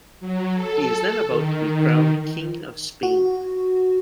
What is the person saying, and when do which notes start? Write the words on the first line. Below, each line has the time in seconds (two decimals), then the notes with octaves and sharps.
He is then about to be crowned King of Spain.
0.20 F#3
0.54 A4
1.28 D#3
3.03 F#4